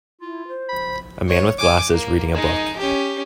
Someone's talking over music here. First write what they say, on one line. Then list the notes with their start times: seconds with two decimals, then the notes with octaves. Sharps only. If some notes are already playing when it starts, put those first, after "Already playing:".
A man with glasses reading a book.
0.21 E4 F4
0.48 C5
0.69 B5
1.29 C#5
1.59 G#5 D6
1.92 A#3
2.34 G#3 D#4
2.78 C#4 G4